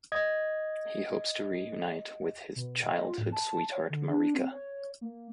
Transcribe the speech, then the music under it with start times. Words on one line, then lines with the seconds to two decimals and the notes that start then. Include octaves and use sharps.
He hopes to reunite with his childhood sweetheart Marika.
0.12 D#5 G#6
2.56 B2
2.84 D#5
3.06 F4
3.18 A2
3.32 A5
3.71 C#5
3.90 D3
4.09 D4
4.34 C4
4.51 C#5
5.01 A#3